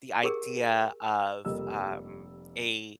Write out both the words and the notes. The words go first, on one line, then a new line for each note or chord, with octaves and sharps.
the idea of, um, a
G4 G#4 A#4
F1 F3 G3 A#3 D#5 E6